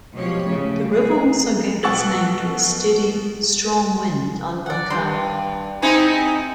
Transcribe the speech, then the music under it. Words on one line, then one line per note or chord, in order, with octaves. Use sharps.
The river also gave its name to a steady, strong wind on Baikal.
B2 F3 G#3 G4 C#5
A2 C#3 A3
E3 G#4
B2 F#5 C#6 E6 A6 F#7
D5 F#5
G2 G5 C6
C4 D#4 E4 G#4 C5 G#5